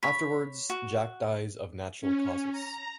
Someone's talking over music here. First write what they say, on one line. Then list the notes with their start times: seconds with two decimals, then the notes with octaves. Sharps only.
Afterwards, Jack dies of natural causes.
0.03 C#5 B5
0.70 F#4
2.01 C#4
2.52 A#5